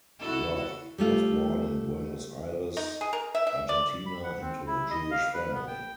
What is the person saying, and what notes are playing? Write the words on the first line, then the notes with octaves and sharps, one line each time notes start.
Roth was born in Buenos Aires, Argentina into a Jewish family.
E4 F#4 A4
G3 A3 F4
D#4
G#4
A#4
E5
E5
D5
B5
F#5
C4
E4
D#5
F5
B4
B3
G5